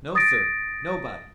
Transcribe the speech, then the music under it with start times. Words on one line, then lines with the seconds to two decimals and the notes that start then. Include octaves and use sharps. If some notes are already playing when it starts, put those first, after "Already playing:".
"No, sir, nobody."
0.15 D#6 A6 A#6 D7